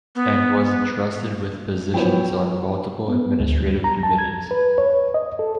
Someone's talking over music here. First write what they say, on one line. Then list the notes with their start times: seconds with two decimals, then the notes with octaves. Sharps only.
And was entrusted with positions on multiple administrative committees.
0.15 B3
1.94 D#2 F3 F#3 B3 E4 G5
3.08 B3
3.40 D2
3.61 G3
3.84 A#5
4.03 A5
4.18 G#6
4.51 B4
4.78 C#5
5.14 D#5
5.39 A4